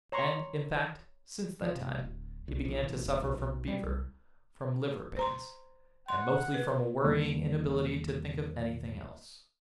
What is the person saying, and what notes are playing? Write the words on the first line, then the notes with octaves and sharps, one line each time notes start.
And, in fact, since that time he began to suffer from fever, from liver pains, and mostly from a worrying inability to think of anything else.
C#5 A#5 C6 C#6
F3
C3
D1
C2
A#1
A1
E1
B1
B1
G3
C2
C5 A#5 C6
F#5 C6
B4
E2 D#3 G3 A#3